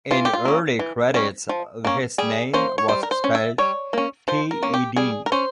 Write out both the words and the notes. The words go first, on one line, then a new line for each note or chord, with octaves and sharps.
In early credits, his name was spelled "T-E-D".
E3 F4
G4
F4
A#3 C#4
E3
G3 C#4
F3
A#3 C#4
G3 G#4
A#3 C#4 C5
C#5
G3 C5
A#4
C5
C#4
E5
G3 C#5
A#3 C#4
F3 C5
A#4
A#3 C#4
G4
G3 G#4
A#4
C#4 C5